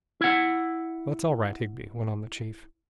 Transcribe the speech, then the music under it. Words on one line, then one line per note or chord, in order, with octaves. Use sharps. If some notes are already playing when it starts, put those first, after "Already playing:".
"That's all right, Higby," went on the chief.
E4 F#5